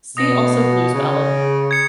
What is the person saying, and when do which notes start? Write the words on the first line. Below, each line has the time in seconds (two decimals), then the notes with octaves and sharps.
See also blues ballad.
0.17 B2 D#6 A#6 C#7
0.94 C#3
1.71 G#6 C#7